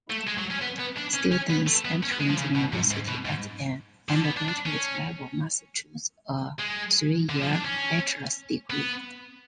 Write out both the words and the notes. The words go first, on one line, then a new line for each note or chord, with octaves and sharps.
Students entering the University at an undergraduate level must choose a three-year bachelor's degree.
A3
G#3
F#3
C#4
B3
B3
D4
C#4
C#4
B3
A3
B3
C#4
B3
G#3
F3
C#3
B2
G#2
G#2
B2
G#2
C#3
D3
B3
D4
D4
C#4
G#3
D3
F3
D4
C#4
B3